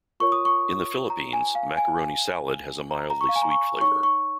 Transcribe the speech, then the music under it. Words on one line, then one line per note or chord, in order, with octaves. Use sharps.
In the Philippines, macaroni salad has a mildly sweet flavor.
F4 A#4 C#5 C#6
D#6
C#6
A#5
G#5
F5
G#5
A#5
A#5
C#6
F5
G#5
A#5
C#6
D#4 C#5 C#6
C#6